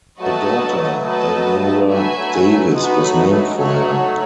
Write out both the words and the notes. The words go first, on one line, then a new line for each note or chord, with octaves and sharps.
The daughter Elnora Davis, was named for her.
F#3 A3 F#4 B4 D#5 A5
F#4 B4 D#5 A5
F#3 A3 F#4 B4 E5 G#5
F#3 A3
F#3 A3
G#3 B3 D#4 F#4 B4
F#3 A3
F#3 A3
G#3
F#3 A3 D#4 F#4 C#5